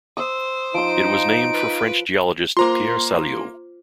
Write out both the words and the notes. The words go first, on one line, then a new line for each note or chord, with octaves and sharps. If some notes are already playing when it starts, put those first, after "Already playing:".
It was named for French geologist Pierre Saliot.
C5 D#6 E6
F3 D#4 C6 D7
B4
A#3 F4 C5 A#5 C6 D6